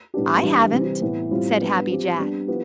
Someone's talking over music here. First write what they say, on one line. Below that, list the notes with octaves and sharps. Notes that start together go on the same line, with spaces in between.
"I haven't," said Happy Jack.
A2 G3 B3 D4 G4
E3 G3 D4 G4
C3 E3 G3 C4 G4
A2 E3 B3
A2 G3 C4 F4
G3 B3 D4
F3 C4 G4
G3 B3 D4
F3 B3 E4 G4